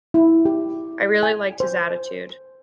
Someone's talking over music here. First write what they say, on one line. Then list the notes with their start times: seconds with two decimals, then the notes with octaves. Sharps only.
I really liked his attitude.
0.14 E4
0.45 G4
1.23 G#5
1.60 C5